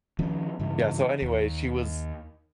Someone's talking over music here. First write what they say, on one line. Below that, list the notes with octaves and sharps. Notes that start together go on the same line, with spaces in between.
Yeah, so anyway, she was
D#3 F3 C#4
G2 C#3 E3
D#2